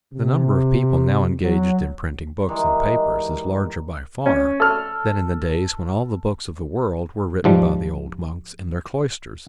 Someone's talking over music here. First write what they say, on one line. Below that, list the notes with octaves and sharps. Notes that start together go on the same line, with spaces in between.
The number of people now engaged in printing books and papers is larger by far than in the days when all the books of the world were written by the old monks in their cloisters.
C3
F#3
D#3 E3 G3 G#3
C#4
A4 F6
G#2 F3 G3